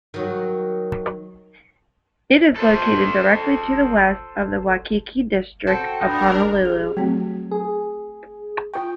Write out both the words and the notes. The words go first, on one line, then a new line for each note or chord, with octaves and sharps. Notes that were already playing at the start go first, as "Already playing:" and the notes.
It is located directly to the west of the Waikiki district of Honolulu.
D#3 F#3
A4 C5
C4 F#4 A4
B3 D4 D#4 A#4
G4 G#4
F#3 A3 C4
G#4
F4 G5 C#6